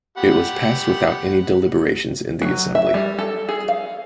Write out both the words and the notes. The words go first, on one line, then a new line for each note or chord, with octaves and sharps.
It was passed without any deliberations in the assembly.
G4 F#5 B5
F#3
E5
G3
A4
G#4
F5